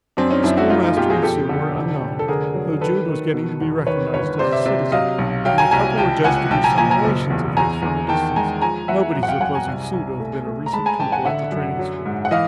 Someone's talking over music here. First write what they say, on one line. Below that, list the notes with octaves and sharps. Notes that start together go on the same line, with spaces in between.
The schoolmaster and Sue were unknown, though Jude was getting to be recognized as a citizen; and the couple were judged to be some relations of his from a distance, nobody supposing Sue to have been a recent pupil at the training school.
F#2 C4 D4
C#4 D#4
F#2 D4 E4
E4 F#4
A3 D#4 F4
D#4 F4
B2 F4 G4
F#4 G#4
F2 G4 A4
D3
F1
F1
A4
D3 G#4 A#4
F#3
D#3 A4 B4
D#3
B2
E2
D#3 B4 C#5
G1 B4 C#5
C3 C5 D5
D5 E5
C3 D5 E5
F#3 D#5 F5
B1
F#3 F5 G5
G#5 A#5
C2 G#5 A#5
C#2 G5 A5
C#2 F#5 G#5
B1 G5 A5
G#5 A#5
A#2 G#5 A#5
G#5 A#5
F#1
E2
E2 G#5 A#5
E2
D#3 G5 A5
G#3 G#5 A#5
F3 G#5 A#5
E2 E5 F#5
F#2
F#5
F5 G5
F#2 F#5 G#5
G#5 A#5
C2
C2
A3
A3
A#5
G#3 A5 B5
G#5 A#5
A1 G5 A5
F#5 G#5
D3 E5 F#5
F#2
F#3
G#2
F#5
E3 D#5 F5